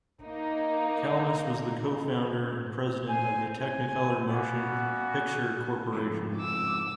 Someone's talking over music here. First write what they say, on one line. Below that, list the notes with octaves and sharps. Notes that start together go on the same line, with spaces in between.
Kalmus was the co-founder and president of the Technicolor Motion Picture Corporation.
A#3 D#4
C5 G#5
G#5
G3 A#3 B3 C#4 F#4
F2 G#2 C#3
D6 E6